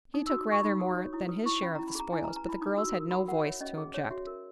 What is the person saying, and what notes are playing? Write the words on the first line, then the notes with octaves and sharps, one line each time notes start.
He took rather more than his share of the spoils, but the girls had no voice to object.
D#4 D#6
F#4 E6
D#6
A#4 C#6
D#4 B5
F#4 D#6
C#5
E4 D#6
B4 D#6
E4 C#6
C#4 B5
E4 A#5
B5
G#4 A#5
E4 G#5
A#5
B4
A#5
E4 B5
D#4 D#6
F#4 E6
A#4 D#6
F#4 B5
A#4 F#5
C#5 E5
C#4 D#5
G#4
C#5
F#4 E5
A#4